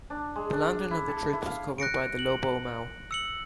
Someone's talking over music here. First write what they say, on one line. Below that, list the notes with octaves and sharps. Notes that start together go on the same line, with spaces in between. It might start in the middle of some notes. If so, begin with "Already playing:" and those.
The landing of the troops was covered by the "lobo mau".
D4
G#3
D4
E4
A4
E4
F5
F#6 A#6 C#7 D7
F#7
E6 C#7 F#7